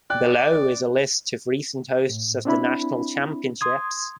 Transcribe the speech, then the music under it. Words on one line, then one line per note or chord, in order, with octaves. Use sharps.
Below is a list of recent hosts of the National Championships.
D5 G5 F#6
A2
C4 D4 E4 B5
C6 D#6 G#6